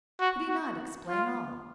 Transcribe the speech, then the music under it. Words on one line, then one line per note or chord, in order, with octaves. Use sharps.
Could he not explain all?
F#4
F#4
F4